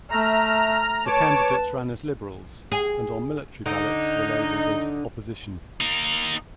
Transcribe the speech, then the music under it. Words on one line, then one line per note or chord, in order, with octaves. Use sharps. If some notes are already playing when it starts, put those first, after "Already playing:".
The candidates ran as Liberals, and on military ballots, were labelled as Opposition.
A3 E5 A#5 F6
B4 C#5 A5 D6
G#4
D3 D#4
A#3 D#4